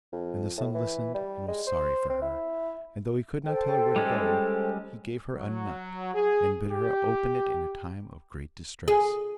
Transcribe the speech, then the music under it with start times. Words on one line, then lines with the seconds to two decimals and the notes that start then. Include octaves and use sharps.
And the Sun listened, and was sorry for her; and though he could not tell her where to go, he gave her a nut, and bid her open it in a time of great distress.
0.13 F2
0.57 A2
0.74 E3
1.14 G3
1.48 G#3
1.67 C5
2.09 C4
2.22 E4
3.45 A4 C5 G5
3.96 G3 G#3 C#4
5.35 F#3
6.15 G#4
6.68 G4
8.88 G#4